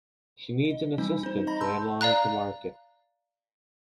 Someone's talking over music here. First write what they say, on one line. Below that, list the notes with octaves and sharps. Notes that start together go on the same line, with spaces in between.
She needs an assistant to analyze the market.
D#5
E3 G3 C4 D#4
D#4 C5
D#5 A#5 B5 A#6
A5 C6 E6 G6
D5 F5 A#5 F#6